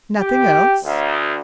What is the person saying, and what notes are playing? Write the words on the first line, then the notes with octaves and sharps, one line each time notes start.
"Nothing else?"
G4
D2